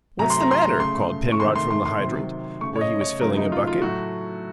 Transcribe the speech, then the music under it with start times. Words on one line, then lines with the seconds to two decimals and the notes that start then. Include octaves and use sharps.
"What's the matter?" called Penrod from the hydrant, where he was filling a bucket.
0.19 C3 F#3 A3 A#5
0.30 C6
0.41 A#5
0.51 C6
0.61 A#5
0.80 C#3 A3 C6
1.32 C#6
1.40 C3 D#3 A3 C6
1.56 C6
1.70 C6
1.85 C6
2.01 C3 D#3 F#3
2.61 C#3 A3 C#6
2.76 C#5
2.81 D#5
3.01 C#5
3.21 C#3 F#3 A3 A#4
3.37 D#4
3.52 F4
3.67 F4
3.82 A2 F#3 A3 F#4